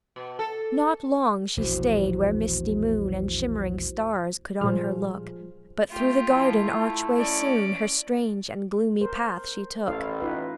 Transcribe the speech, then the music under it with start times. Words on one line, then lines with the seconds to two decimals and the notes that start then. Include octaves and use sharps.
Not long she stayed where misty moon And shimmering stars could on her look, But through the garden archway soon Her strange and gloomy path she took.
0.16 B2
0.39 A4
1.57 E1 A#1 E2 E4 F#4 C5
4.61 A#2 F3 G3 G#3 G#4 C5 F6
5.90 A3 F4 G4
6.30 F3 E4
6.62 A3
7.18 C#4 D5
9.01 A#4 C5
9.87 A1 E4 A4 F5
10.21 D#4 F4 B4